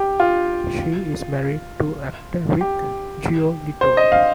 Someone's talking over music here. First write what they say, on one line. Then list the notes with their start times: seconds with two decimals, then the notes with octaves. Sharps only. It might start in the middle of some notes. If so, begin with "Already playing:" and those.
She is married to actor Rick Giolito.
Already playing: G4
0.20 F4
2.61 G4
3.81 C5
3.97 D#5
4.12 F5